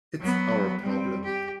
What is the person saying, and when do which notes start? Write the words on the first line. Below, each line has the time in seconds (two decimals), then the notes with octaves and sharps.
It's our problem.
0.19 F#3 B3
0.80 G3 C4
1.24 G4